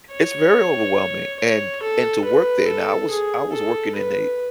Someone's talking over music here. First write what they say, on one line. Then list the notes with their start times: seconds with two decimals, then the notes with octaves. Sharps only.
It's very overwhelming, and and to work there now I was I was working in a
0.12 C#5
1.39 C#5
1.82 A4
2.24 B4
2.67 A4
3.10 G#4
3.52 A4
3.95 B4